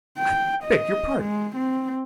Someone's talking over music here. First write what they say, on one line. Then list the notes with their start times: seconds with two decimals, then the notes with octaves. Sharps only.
I beg your pardon.
0.18 G5
0.64 D#5
1.21 G#3
1.56 C4